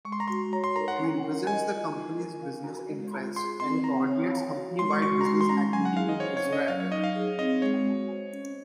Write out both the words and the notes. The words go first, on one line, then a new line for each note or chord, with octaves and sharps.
He represents the company's business interests and coordinates company-wide business activities in Israel.
G#3 C#6
C6
A#5
F#4 C6
C#5 A#5
C6
D#4 A#5
F#5
C#4
A#4
D#5 G#5
F4
D#4
A#4
F5
F#4
G#3
F4
G#4 C6
C4 C6
C4 A#5
C#5
F5
F#4
G#3 C6
C#6
F#4 C#6
A#5
G#3 C6
C6
C#4 A#5
F#3 G#5
F#5
G#4 F5
D#5
C5 C#5
C#5
C#4
D#5
F#3 F5
C#5
D#4 D#5
F5
G#4
C4 D#5
G#3 C#5
F#4
C5
C#4